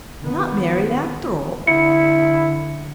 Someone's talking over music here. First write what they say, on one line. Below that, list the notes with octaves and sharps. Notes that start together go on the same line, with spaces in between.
Not married after all?'
D#3 B3
D3 E4 C#7